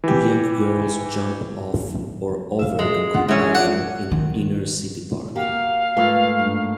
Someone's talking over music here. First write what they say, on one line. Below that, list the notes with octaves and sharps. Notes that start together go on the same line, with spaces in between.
Two young girls jump off or over a concrete barrier in an inner city park.
E3 G4
E5 F5
G#3 A4
F4 F#5
E3 G#3 C#4 E4 G#4
D4 F#5
D#3
A#3 F#4 G4 F5
G#2 A3 A#3 F4 B4
G2